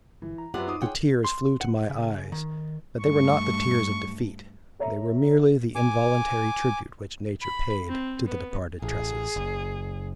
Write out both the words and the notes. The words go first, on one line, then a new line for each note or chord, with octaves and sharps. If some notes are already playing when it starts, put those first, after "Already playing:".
The tears flew to my eyes, but they were not the tears of defeat; they were merely the involuntary tribute which nature paid to the departed tresses.
G1 E3
A#5
F#2 C4 F4 G4 B4 D5 F#5
D#4 D6 D#6
F4 G#4 C#5 F#5 G5
C6
F#5
C#3
D#3
G2 A3 C#6
A4 C#5 E5 A#5
G#5 D6
B5
C4
B3
A1 G#4
F#1